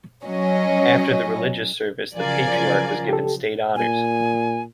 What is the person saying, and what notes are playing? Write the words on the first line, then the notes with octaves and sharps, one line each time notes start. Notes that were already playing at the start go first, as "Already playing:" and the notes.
After the religious service, the Patriarch was given state honors.
F#3 C#4 D#5
C#3 F3 F#3 F4 A#4 D5 F5 G#5
G4 A4
A#2 G#5